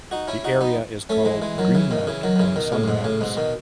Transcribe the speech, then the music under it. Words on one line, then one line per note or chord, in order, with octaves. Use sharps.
The area is called Greenmount on some maps.
D#4 F#4
C#4 E4
D#4 F#4
B3 D#4
A3 C#4
E3 G#3
E3 G#3
D#3 F#3
C#3 E3
B2 D#3
C#3 E3
D#3 F#3
D#3
C#3 E3
B2 D#3
A2 C#3
A2
G#2 B2
A2 C#3
G#2 B2
B2 D#3